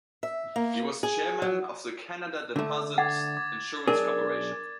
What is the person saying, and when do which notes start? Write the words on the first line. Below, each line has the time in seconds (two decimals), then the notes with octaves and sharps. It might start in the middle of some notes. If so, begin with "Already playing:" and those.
He was chairman of the Canada Deposit Insurance Corporation.
0.23 E5
0.56 A#3
1.03 G#4
1.42 F#3
2.56 D3 A3
2.98 F#5 D6 G#6 A6
3.37 D6 G#6
3.88 B1 D4 G#4 A#4